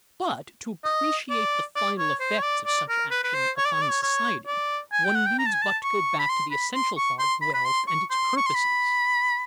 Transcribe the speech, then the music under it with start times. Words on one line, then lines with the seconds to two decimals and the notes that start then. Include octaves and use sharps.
But, to appreciate the final effects of such action upon society, one needs but to go back to the essential thought of wealth and its purposes.
0.84 D#5
1.30 D5
1.76 D5
1.99 C#5
2.20 C5
2.38 C#5
2.43 D5
2.66 D5
2.89 A#4
3.11 B4
3.24 B4
3.34 C5
3.57 C#5
3.66 D5
3.73 C#5
3.82 D5
3.90 C#5
4.03 C#5
4.47 D5
4.92 G#5
5.05 G5
5.15 F#5
5.26 G5
5.39 A#5
5.46 A5
5.54 G#5
5.62 A5
5.84 C#6
6.19 B5
6.29 C6
6.51 B5
6.74 C6
6.97 C#6
7.19 C6
7.42 B5
7.54 B5
7.65 C6
7.88 C#6
8.10 C6
8.37 C#6
8.46 C6
8.55 B5